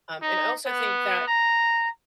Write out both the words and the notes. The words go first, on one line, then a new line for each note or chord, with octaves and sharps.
um, and I also think that,
D#4
B3
A#5